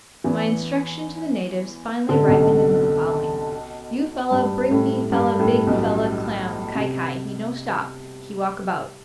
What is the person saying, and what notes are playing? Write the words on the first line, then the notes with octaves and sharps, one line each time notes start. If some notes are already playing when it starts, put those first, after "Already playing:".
My instruction to the natives finally ripened into the following “You fella bring me fella big fella clam—kai-kai he no stop, he walk about.
E2 E3
D3
C3
B1 B2
G2
A2
G2
A2
B1 B2
C3